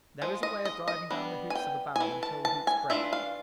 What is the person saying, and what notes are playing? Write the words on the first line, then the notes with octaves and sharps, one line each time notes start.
There is a way of driving down the hoops of a barrel until the hoops break.
F3 G#3
D#5
D#5
D#5
G3 B3 D4
G#5
G5
G#5
E3 A3
A5
A5
G#5
E3 A3 D4 F4 E5
F5